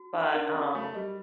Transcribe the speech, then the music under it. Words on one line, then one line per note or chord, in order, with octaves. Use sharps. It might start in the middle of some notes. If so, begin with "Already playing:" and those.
But, um
Already playing: F#4
D#4
D4 A#4
C#4 F#4
A3 F#4
G3 D#5